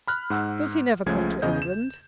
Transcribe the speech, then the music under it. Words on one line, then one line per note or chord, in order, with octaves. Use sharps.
Does he never come to England?'
B5 F6 F#6
G#2 F#5 E6
C#2 C#3 F3 A3 C#4 G#6
E2 C#3 D#5 G6
E7